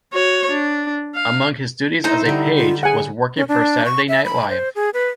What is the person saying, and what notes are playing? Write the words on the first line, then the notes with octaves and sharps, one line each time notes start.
Among his duties as a page was working for "Saturday Night Live".
F#4 C#5
D4
F5
D#4 E4 A4 C5 A#5
D3 G3 E4
F4
G#4 F#5 G#5
C#4
D4
C#6
E5
B5
C5
G#4
B4